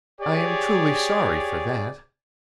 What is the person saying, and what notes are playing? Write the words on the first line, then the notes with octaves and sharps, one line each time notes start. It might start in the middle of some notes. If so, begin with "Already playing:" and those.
"I am truly sorry for that."
G4 G#4 C#5 D5